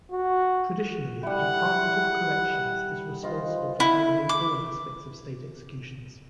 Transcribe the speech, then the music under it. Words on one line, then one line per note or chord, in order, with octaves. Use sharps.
Traditionally the Department of Corrections is responsible for handling all aspects of State executions.
F#4
G3 E4 F#5
F4 C5 D#5
E4
D6